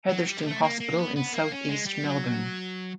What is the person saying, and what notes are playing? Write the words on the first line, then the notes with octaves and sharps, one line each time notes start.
Heatherton Hospital in south east Melbourne.
F#3
G3
G#3
A3
A#3
A#3
B3
B3
A#3
C#4
G#3
G3
F#3